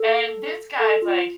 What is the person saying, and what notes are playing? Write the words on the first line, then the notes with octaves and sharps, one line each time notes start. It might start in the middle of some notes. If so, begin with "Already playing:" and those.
and this guy's, like,
Already playing: A4
A4
F4